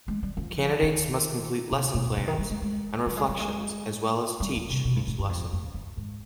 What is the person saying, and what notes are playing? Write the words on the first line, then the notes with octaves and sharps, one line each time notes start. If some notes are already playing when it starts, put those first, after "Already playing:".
Candidates must complete lesson plans and reflections, as well as teach each lesson.
G#3
G3
F3
D#3
C3
B2
C3
D#3
G3
G#3
G#3
G3
G#3
G3
G#3
G3
D3
C3
B2
G2
G#2
G2
F2
F2
G2
G#2